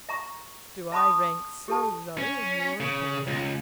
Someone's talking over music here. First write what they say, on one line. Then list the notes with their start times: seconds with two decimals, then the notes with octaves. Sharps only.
'Do I rank so low in your opinion?'
0.09 E5 A#5 C#6
0.92 E5 A5 B5 C#6 D#6
1.68 G4 A4 A5
2.18 C#4
2.80 C#3
3.27 C#2